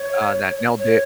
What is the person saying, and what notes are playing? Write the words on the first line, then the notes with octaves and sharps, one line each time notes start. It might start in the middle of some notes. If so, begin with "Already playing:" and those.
uh, that nailed it
Already playing: C#5
C#5